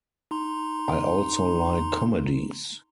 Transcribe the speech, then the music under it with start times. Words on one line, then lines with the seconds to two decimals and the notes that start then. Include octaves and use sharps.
I also like comedies.
0.31 D#4 A#5 C6